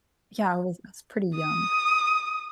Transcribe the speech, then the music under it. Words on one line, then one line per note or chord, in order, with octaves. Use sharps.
yeah, I was I was pretty young.
D#6